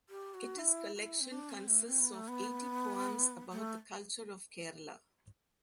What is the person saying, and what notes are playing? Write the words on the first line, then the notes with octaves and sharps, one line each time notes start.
It is collection consists of eighty poems about the culture of Kerala.
G4
F#4
E4
F#4
E4
C4
D4
C4
A3
C4
B3
A3
B3
A3